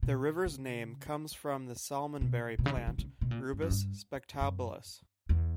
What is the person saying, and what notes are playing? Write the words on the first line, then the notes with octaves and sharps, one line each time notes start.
The river's name comes from the salmonberry plant, "Rubus spectabilis".
B2
C#3
B2
B2
C#3
C#3
D3
C#3
B2
A#2
G2
F#2
G2
F#2
E2